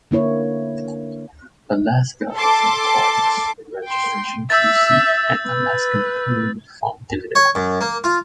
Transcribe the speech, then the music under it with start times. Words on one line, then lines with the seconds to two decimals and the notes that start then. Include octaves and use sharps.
Alaska also requires registration to receive an Alaska Permanent Fund dividend.
0.11 D3 A#3 E4 C#5
2.36 A4 A5 C6 D6
3.84 G5 C6
4.50 E5 E6 G6 A6
5.46 B4
7.35 C#5
7.55 F#2
7.81 A#3
8.04 F4